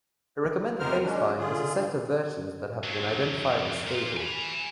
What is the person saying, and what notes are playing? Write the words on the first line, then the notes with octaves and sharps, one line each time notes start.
A recommended baseline is a set of versions that have been identified as stable.
F2 C3 B3 A#4 C5 F6
G#3 C#4 D4
D3 F4 G#4
G2
F2 F#3
A#2 F4
G#5 B5